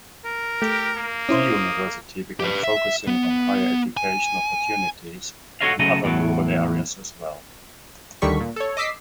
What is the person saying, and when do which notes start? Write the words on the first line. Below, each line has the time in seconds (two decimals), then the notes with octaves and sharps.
The university began focusing on higher education opportunities in other rural areas as well.
0.25 A#4
0.62 A3 G4
0.97 A#3
1.29 C#4 E4 C5 D#6
2.40 G4 B4
2.64 E5
3.07 B3
3.97 G#5
5.61 F#4 A4 A#4 C#5 D#5 F5
5.79 C#3 F#3 A3 A4 D#5
6.04 E2 A2 F#3
8.22 D2 D3 D#3 G3 C#6 B6
8.40 A#2
8.56 A4 C#5
8.77 D#5 D6 E6 B6 C7